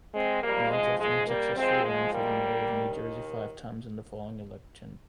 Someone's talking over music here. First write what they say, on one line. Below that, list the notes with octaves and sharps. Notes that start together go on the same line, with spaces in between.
Manzo unsuccessfully ran for mayor of Jersey City five times in the following elections.
G#3 C4
G#2 F3 G3 A#3
G#3
G#3
G3 A#3
G#2 F3 G#3 C4
G#3
G3 A#3
D#2 D#3